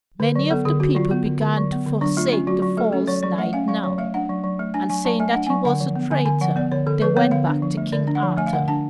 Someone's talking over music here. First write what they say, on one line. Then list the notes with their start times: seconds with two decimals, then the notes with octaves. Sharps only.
Many of the people began to forsake the false knight now, and saying that he was a traitor, they went back to King Arthur.
0.20 D3 B4
0.36 F#3
0.50 B3 A4
0.65 D3 G#4
0.80 D3 F#4
0.95 F#3 F4
1.11 B3
1.26 D3
1.41 D3
1.57 F#3
1.72 B3
1.86 D3
2.01 F#3 D4
2.17 A3 F4
2.32 C#4 F4
2.47 F#3 F#4
2.62 F#3
2.78 A3 A4
2.92 C#4 A4
3.07 F#3 C#5
3.23 F#3 D5
3.38 A3 F#5
3.53 C#4 F5
3.68 F#3 F5
3.83 F#3 C#5
3.98 A3 F5
4.14 D4 F#5
4.29 F#3
4.44 F#3
4.59 A3
4.74 D4 G#5
4.90 F#3 G#5
5.05 F#3 A5
5.20 A3 G#5
5.33 D4 F#5
5.47 F#3 G#5
5.65 D3 F#5
5.81 F3
5.96 B3
6.11 D3 G#5
6.26 D3 G#5
6.41 F3 F#5
6.56 B3 D5
6.72 D3 C#5
6.87 D3 A4
7.02 F3 B4
7.17 B3 C#5
7.31 D3 F5
7.47 D4
7.62 F3
7.77 A3
7.92 D3 D5
8.07 D4
8.15 F#5
8.23 F3
8.37 A3 G#5
8.47 F5
8.53 D3 F#5
8.68 D4 A5